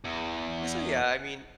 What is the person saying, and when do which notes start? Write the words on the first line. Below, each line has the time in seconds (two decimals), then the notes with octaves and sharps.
ye so, yeah, I mean,
0.05 E2